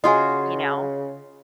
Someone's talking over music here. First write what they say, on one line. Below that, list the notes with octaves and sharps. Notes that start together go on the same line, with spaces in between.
You know?
C#3 F4 F#4 G#4 D#5 G#5 C6 D#6